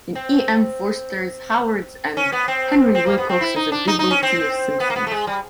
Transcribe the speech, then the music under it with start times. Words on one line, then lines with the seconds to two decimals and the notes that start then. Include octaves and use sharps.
In E. M. Forster's "Howards End", Henry Wilcox is a devotee of Simpson's.
0.15 C4
2.17 C#4
2.32 B3
2.48 C4
2.95 C4
3.06 A#3
3.18 B3
3.29 C4
3.41 E4
3.56 D#4
3.72 D4
3.88 D#4
3.99 D#4
4.11 C#4
4.23 C4
4.80 B3
4.90 A#3
4.96 B3
5.07 A3
5.11 G#3
5.27 G3